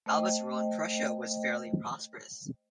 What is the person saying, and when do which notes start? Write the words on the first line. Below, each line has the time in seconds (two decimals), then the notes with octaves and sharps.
Albert's rule in Prussia was fairly prosperous.
0.06 A3 C5 D#5 G5